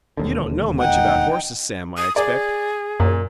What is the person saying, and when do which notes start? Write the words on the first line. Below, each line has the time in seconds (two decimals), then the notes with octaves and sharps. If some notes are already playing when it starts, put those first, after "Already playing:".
You don't know much about horses, Sam, I expect.
0.17 E1 D#2 D3
0.80 D#4 F#5 G5
1.97 D#6
2.16 G#4 D5
3.00 F#2 A#2